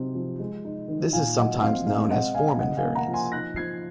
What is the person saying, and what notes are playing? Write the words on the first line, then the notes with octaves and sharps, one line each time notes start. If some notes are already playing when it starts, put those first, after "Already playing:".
This is sometimes known as form invariance.
Already playing: C3 F#3 C4 D#4
F3
G#3
D#4
D#3
A#2 F5 G#5
F#3 D#5 F#5
C4 F5
G#3 F5
C4 D#5 F#5
C4 F5 G#5
C#3 D#5 F#5
F5 G#5
A#3
F#5 A#5
F3
G#5 C6
D#4 F#6 A#6
F3 G#6 C7